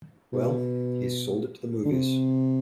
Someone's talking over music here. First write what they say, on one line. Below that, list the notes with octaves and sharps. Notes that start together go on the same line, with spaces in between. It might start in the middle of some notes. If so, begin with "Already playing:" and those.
Well, he sold it to the movies.
B2
D3
C3